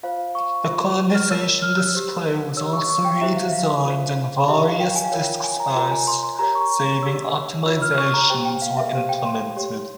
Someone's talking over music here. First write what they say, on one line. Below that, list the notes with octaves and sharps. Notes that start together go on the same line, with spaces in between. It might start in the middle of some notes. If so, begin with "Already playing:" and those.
The conversation display was also redesigned and various disk space saving optimizations were implemented.
F4 C5 F5
C#6
F4 C5
F6
F4 A#4 C#5 E6
F6
E6
G4 C5
G4 C#5 E6
C#6
C#6
G5
E4 G4 C5 E5
F5
E5
F5
F4 C5
G4 A#4 C#5 E5
F5
G5
G#5
F5
F4 A#4 C#5 G5
G#5
A#5
F4 A#4 C#5 A#5
G#5
C6
C6
G4 A#4 C#5 A#5
C#6
G4 C#5 E6
F4 A#4 C#5 E6
F6
C#6
A#5
G4 C5 G5
G5
F5
E5
G4 C5 F5
G5
C6
G4 C#5